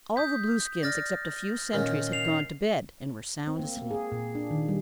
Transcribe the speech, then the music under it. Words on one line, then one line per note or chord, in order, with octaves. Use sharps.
All the Blueskins except a few sentries had gone to bed and were sound asleep.
D#6 G6 B6
D5 F6 A6 A#6
A#2 D#3 C#4 F6
C7 F7
C4
A#3
A#3
G#4
A#2
D4
D#3
G3